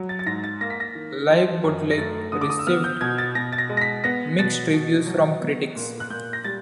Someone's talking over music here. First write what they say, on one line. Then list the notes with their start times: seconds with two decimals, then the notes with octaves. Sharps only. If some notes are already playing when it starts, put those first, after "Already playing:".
"Live Bootleg" received mixed reviews from critics.
Already playing: F#3
0.09 A6
0.19 A6
0.26 G#2 A#6
0.44 A6
0.61 A#3 A#6
0.70 B6
0.80 A#6
0.95 D#3
1.29 F3
1.64 F#2
1.91 A#6
1.98 A3 A6
2.32 D3 D#6
2.41 D6
2.50 D#6
2.59 E6
2.67 B3 F6
2.84 G6
3.01 B2 G#6
3.18 A6
3.35 B2 A#6
3.52 A6
3.58 A#6
3.69 G#3
3.77 A#6
3.81 B6
4.04 B3 A#6
4.39 B2 A6
4.73 B2
5.07 F#3
5.41 B3
5.76 A#2
6.00 F#6
6.10 A#2 G6
6.33 A#6
6.44 G3 A6